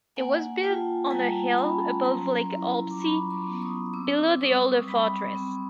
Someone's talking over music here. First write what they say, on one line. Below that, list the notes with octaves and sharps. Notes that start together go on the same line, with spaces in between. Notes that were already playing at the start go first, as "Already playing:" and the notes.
It was built on a hill above lake Alpsee, below the older fortress.
A#3 F#5 G#5
F4 G5 A5
A5
G3 G#5 A#5
C#4 A5 B5
F#3 A#5 C6
E4
D6
F#3 B5 C#6
C6 D6
B3
C#6 D#6
C4 D6 E6
G3 C#6 D#6
G3 B5 C#6
C4